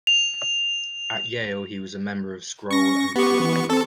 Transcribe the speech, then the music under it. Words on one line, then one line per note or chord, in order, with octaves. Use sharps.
At Yale he was a member of Scroll and Key.
F7
C#4 C#6 A#6
B3 G4 C#6
E3
C4 A4